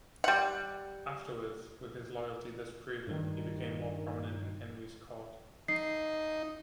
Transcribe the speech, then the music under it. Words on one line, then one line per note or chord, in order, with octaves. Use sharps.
Afterwards, with his loyalty thus proven, he became more prominent in Henry's court.
G3 F#5
G2 D#3
D#4 C7